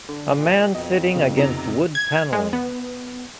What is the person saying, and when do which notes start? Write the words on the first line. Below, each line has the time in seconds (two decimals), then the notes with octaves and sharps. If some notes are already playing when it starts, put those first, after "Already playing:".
A man sitting against wood paneling.
0.09 D3
0.36 A#2
0.75 F2 B2 D#5
1.16 C#3 B3 F4
1.37 F1 C3 D#4 A#5
1.95 G#6
2.33 G#3
2.53 B3